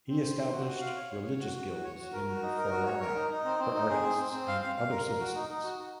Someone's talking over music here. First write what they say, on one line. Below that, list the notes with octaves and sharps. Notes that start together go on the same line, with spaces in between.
He established religious guilds in Ferrara for artists and other citizens.
C4
C5
C4
F#4
F#4
F5
C#5
C#5
C#5
F#4
F#4
F#4
C#5
F#4
A#4
F#4
D#4
A#4
F#4
C#5
A#4
D#4
D#4
C4
C4
D#4
G#4
C4
C4
C4
F5
F5
F5
A#4
A#4
F#4
D#4
D#4
F#4
F#4